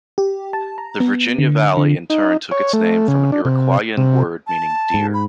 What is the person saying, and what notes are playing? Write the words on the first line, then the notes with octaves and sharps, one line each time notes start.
The Virginia valley in turn took its name from an Iroquoian word meaning 'deer'.
G4
A5
A#5
B3
D3
D3
D#4
C#5
A3
C#3
D4
C3
C3
A5
G#2
B5